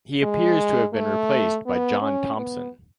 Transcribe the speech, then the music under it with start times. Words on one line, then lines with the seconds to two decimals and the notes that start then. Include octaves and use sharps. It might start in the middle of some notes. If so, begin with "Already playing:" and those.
He appears to have been replaced by John Thompson.
0.22 G#3
0.93 A3
1.66 B3
2.01 C#4
2.37 B3